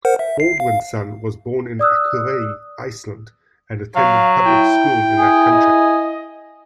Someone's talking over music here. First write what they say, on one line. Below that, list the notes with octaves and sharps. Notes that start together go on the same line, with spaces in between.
Baldwinson was born in Akureyri, Iceland, and attended public school in that country.
A#4 C5 F#5
E5
C7
F5
D5 D#6 E6 F#6
F#3 F5
E4 G5
E4
G#4
D#5